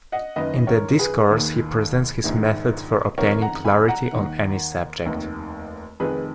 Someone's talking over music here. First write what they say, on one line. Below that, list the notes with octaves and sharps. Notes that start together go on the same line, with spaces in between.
In the "Discourse", he presents his method for obtaining clarity on any subject.
D#5 F#5
F#1 F#2 D#3 B4 D#5
A#4 C#5
G#4 B4
D#2 D#3
A#1 G#2 D#3
F#1 F2 D#3 A#4 C#5
F#5 A#5
G#5 B5
F#5 A#5
D#2 D#3
F1 D#2 D#3
F1 F2 D#3 G#4 B4